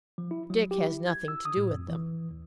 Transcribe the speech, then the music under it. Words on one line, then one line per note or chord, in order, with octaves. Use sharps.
Dick has nothing to do with them.
F3
E4
F#3
G4
E4
G#6
E6
D#6
A2
F2
E3
D#2